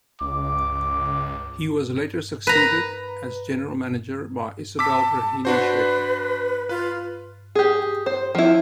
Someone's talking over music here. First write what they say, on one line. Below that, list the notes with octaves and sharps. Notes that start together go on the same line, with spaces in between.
He was later succeeded as General Manager by Isobel Breheny Schafer.
C#2 D6
B4 A#5
A5 D6 E6 B6
D4 F#4 B4 C5
F4 B4
G4 G#4
C5
F3 E4